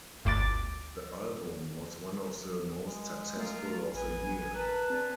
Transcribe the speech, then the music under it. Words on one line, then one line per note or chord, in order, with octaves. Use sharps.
The album was one of the most successful of the year.
G1 D2 D6 A6
G#3
A3 F4 A#4
A1 B4 G#5 D#6
A#4 B4 A5
C4 D4 G#4